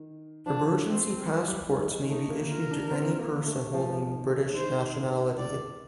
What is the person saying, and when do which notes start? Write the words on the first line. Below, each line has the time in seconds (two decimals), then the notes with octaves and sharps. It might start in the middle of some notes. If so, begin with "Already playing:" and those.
Emergency passports may be issued to any person holding British nationality.
Already playing: D#3
0.46 F3 D4
0.87 C4
1.27 G3
1.48 G3
1.69 D#3
1.89 D#3
2.10 A3 D#4
2.30 A#3
2.51 F4 A#4
2.71 D4
2.92 C4
3.19 A#3
3.46 A3
3.74 F3
3.93 F3
4.14 D#3
4.35 D#3
4.45 D3
4.53 D#3 C5
5.38 D5